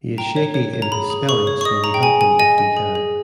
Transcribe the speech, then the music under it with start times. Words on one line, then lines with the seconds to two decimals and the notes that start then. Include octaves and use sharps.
He is shaky in his spelling, so we help him if we can.
0.18 G5 A#5
0.36 C#5
0.54 C#5
0.74 C#5
0.82 A#5
0.92 G#4 B5
1.10 G#4
1.29 G#4 C#6
1.47 C#5
1.61 C#6
1.65 D#5 D#6
1.84 G#4 A#5
1.94 G5
2.02 G#4 G#5
2.21 G#4 G#5
2.39 D#5 G#5
2.58 D#5
2.77 G#4
2.95 G#4